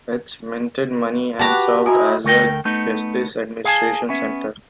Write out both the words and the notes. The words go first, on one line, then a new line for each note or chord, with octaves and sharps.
It minted money and served as a justice administration centre.
F#4 G4 B4 F#5 A5 A#5
C4 E4 F#4 A#4 D#5 G#5
D2 A3 A#4 G5
A3 B3 D#4
G#4 F5 F#5 G#5 A5
B3 C#4 E5